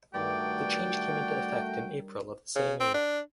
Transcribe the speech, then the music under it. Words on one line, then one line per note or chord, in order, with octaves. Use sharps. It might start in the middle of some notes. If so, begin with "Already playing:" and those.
The change came into effect in April of the same year.
G2 D#3 A3 F#4 D5 G5 D6
C#3
C4
D4